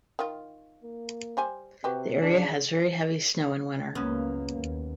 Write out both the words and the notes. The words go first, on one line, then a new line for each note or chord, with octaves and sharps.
The area has very heavy snow in winter.
D#3 F4
A#3
G3 C5 G#5
C3 F#4 G4 B4
C#3 D4
C#2 F#2 A#3 B3 C#4
D#2